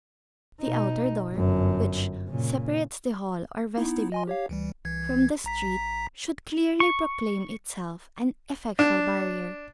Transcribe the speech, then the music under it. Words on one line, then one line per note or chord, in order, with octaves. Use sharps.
The outer door, which separates the hall or vestibule from the street, should clearly proclaim itself an effectual barrier.
B2 D#4
G1 F#2
A#2 C#3
B3 D#4 E4
D#5 G#5 C6
G4 C#5 F5
D2 E3 G3
C2 E3 G#6
A#1 A#5 B6
C#6
D4